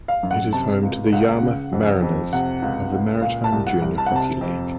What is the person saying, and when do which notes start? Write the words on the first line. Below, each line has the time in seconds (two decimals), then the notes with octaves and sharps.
It is home to the Yarmouth Mariners of the Maritime Junior Hockey League.
0.08 F5
0.23 F#2
0.31 F#5
0.53 C3 A5
0.83 C#2
1.12 C#2 F#5
1.42 C#3
1.73 F2
2.02 F2
2.33 C3 F#5
2.62 C#2
2.92 C#2
3.21 A#2 F5
3.44 A5
3.52 C2
3.67 F#5
3.82 C2
3.98 A5
4.06 F#5
4.12 C3 A5
4.41 F2